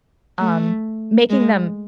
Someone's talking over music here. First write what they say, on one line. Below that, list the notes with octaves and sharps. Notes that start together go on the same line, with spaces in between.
um, making them
A3
G#3